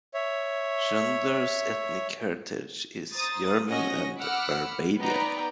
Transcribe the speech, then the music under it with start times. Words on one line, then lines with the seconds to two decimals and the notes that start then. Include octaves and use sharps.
Schundler's ethnic heritage is German and Barbadian.
0.14 C#5 E5
3.14 C5 A#5 D#6 A6
3.68 C#4 F#4 D#5 D#6 A#6
4.17 F#5 B5 D6 E6 F6
4.99 B3 D#4 B4 D5 G5 A#5